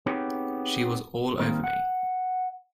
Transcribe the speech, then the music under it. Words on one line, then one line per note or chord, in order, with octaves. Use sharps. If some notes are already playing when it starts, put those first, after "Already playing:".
She was all over me.
B3 C4 D#4 G4 G#4 C#5
D#3 G3 A#3 C4 A#4
F#5